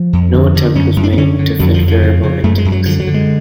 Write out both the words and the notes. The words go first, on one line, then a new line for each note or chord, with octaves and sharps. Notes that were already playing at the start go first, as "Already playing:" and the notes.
No attempt was made to fit variable intakes.
Already playing: F3
F2
D3
D3
F#2 C#4
F#2
D4
B3
D3 C#4
D3
F2 F#3
F3
F2
F3
C#3
C#3
F#2 A3
G#3
F#2
F#3
D3 F3
F#3
D3
G#3